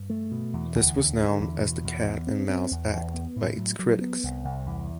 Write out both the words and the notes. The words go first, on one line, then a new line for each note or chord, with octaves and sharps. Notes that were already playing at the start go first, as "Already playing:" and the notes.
This was known as the Cat and Mouse Act by its critics.
Already playing: G2
A3
B2
E2
D2
D3
D3
E2
B2
E2
E2
C4
C4
E2
E2
B3
A2
F#3
F#3
B3
C2
C2
E2